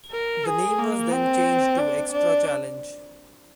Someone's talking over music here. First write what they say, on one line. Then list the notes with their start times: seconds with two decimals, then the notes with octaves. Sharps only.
The name was then changed to "Extra Challenge".
0.12 A#4
0.45 G#4
0.79 A#3
1.12 C4
1.78 D4
2.12 D4